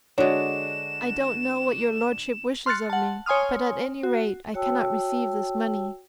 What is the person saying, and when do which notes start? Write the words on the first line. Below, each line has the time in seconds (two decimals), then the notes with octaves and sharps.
I don't know what your lordship wishes of me; but, at any rate, I cannot receive this money.
0.18 D3 G#3 D4 F#4 C#5 E7
2.66 C6 F6 F#6 A6 C#7
2.90 F#5 A5
3.26 C#5 G#5 C6 D#6 F6
4.03 F#4
4.54 F#4 C#5 G5 A5 E6